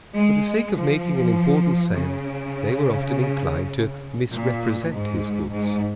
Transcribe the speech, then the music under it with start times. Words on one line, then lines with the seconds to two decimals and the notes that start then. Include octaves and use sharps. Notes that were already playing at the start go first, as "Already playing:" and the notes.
For the sake of making an important sale they were often inclined to misrepresent his goods.
0.15 G#3
0.75 F3
1.94 C#3
4.32 A#2
4.92 G#2
5.50 G#2